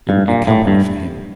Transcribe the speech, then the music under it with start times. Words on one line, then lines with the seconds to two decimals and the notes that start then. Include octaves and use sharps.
It will be company for him.'
0.09 G2
0.28 A#2
0.47 A2
0.67 G2